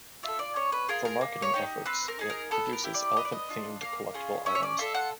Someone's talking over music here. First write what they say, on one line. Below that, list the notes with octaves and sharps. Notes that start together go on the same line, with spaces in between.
For marketing efforts it produces elephant-themed collectible items.
F4 A4 E5
D5
C#4 C#5
B4
F4 G#4 A#4
A#4
A#3
C#5
D#4 G4
C4 B4
A#4
D#4 G#4
A#4
B3 A4
A#4
E4 G4
D5
B3 D#5
D5
D#5
D4 F4
A#3 F5
C#4 F4 G#4
C#4 E5
C#5
D5
F4 A4 E5
F#5